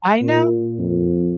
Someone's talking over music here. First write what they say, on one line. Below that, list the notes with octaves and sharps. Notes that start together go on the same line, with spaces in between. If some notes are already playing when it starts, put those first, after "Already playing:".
I know.
A#2
F2